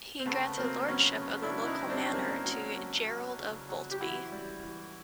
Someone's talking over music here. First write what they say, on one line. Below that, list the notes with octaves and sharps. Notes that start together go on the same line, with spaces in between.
He granted Lordship of the local manor to "Gerald of Boltby".
C4
C#3 A3 B3
F#3 A#3 C4
F#3 B3 C#4
C#3
D4 E4
F#3
E4
C#4 D#4
F#3
C4 D4
C#4
F#3 A#3 C4
F#3
F#3
F#3
C#3
F#3
G4
E3 E4 F#4
G3
E3